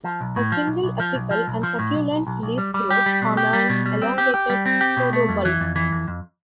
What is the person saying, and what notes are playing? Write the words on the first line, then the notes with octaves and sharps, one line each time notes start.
A single, apical and succulent leaf grows on an elongated pseudobulb.
F3
B1
A2
F3
B1
B1
F3
B1
F3
B1
F3
A2
B1
B1
B1
B1
G3
G3
G4
G3
B2
G4
G3
B2
G3
C4
G4
G4
G3
C4
G4
B2
A3
F2
E3
F2
E3
F2
F2